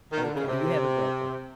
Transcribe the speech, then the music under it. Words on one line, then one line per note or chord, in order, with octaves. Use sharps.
okay, you have a great one.
D#3
D3
C#3
C3